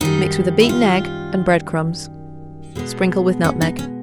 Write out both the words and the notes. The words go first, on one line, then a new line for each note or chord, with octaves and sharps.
Mix with a beaten egg and bread-crumbs; sprinkle with nutmeg.
F#2 D#3 G3 D#4
E4
F4
B2 G#3 B3
C#4
D#4
C#4